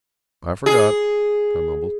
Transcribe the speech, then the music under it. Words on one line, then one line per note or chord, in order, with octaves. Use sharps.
"I forgot," I mumbled.
G#4